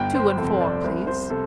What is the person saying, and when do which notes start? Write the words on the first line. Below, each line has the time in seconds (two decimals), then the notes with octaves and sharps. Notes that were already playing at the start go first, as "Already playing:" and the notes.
"Two-and-four, please."
Already playing: G1 G5
0.15 C5
0.37 F2 C3 A4
0.61 D5
0.84 C2 C5
1.07 C5
1.30 C3 A4